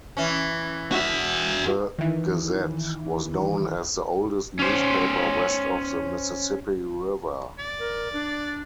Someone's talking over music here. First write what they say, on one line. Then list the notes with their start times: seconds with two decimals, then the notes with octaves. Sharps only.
The "Gazette" was known as the oldest newspaper west of the Mississippi River.
0.17 E3 C#4
0.92 F#4 E5
1.99 D#3 E3
4.59 C#4 C5
7.59 D5
7.79 A#4
8.13 D4